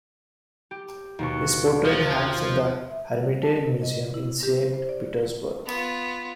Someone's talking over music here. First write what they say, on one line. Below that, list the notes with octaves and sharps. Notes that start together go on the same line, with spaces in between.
His portrait hangs in the Hermitage Museum in Saint Petersburg.
G4
D#2 B2 C#6
F3
E5
G3
A5
C3
D#5
E4
G4
C5
D5
B3 F4